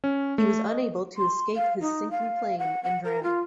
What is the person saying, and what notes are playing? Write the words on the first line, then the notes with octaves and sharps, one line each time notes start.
He was unable to escape his sinking plane and drowned.
C#4
A3
D#5
C6
F5
D#4
F5
F#5
F#5
A#4
F4